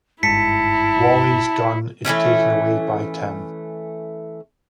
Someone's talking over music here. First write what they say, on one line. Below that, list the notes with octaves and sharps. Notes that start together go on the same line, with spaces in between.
Wally's gun is taken away by Tim.
G1 G#2 E4 A5 B6 C#7
E3 G#3 A3 C#4